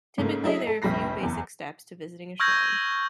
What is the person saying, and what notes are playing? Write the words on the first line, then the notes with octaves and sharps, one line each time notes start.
Typically there are a few basic steps to visiting a shrine.
G#2 C#3 A3 A#3
F#3 A3 E4 G#4 D#5 E5
A4
F1 A#1 G3 B5 A#6 C7
F#1 E2
C#6 E6 F6 G6 G#6 A#6